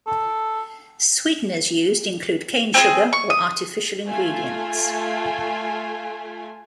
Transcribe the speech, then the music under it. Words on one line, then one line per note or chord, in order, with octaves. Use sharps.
Sweeteners used include cane sugar or artificial ingredients.
A4
C4 D#4 G#4
C#6
D#6
A3 F4 G#5